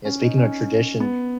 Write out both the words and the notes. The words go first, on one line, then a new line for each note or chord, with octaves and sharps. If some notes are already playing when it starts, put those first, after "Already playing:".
eh, speaking of tradition,
C#4
D#4
C#4
B3